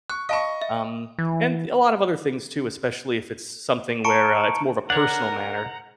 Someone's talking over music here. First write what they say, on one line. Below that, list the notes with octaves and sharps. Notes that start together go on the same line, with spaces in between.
Um, and a lot of other things too, especially if it's s something where, uh, it's more of a personal manner.
C#6 F#6
D#5 F5 A5 B5 C#6
E5
E3
A5 A#5 C#6 C#7 D7
D4 A#4 C#5 F#5 A#5